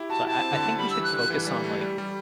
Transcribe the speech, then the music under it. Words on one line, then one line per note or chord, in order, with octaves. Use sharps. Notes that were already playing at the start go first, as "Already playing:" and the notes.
So I I think we should focus on, like
Already playing: E4 G4
F#4 A5
E4 A5
C4
D3
A3
G3 B5
E3 E6
F#6
D3
F#6
E3
G3
A3
G3
G3